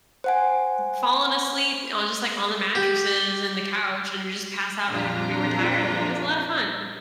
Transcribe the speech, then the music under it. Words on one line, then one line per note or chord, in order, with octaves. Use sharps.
falling asleep on just, like, on the mattresses and the couch, and we just passed out whenever we were tired, but it was a lot of fun.
C5 F#5 G#5
G4
A#1 F2 F3 D4 F4 A#5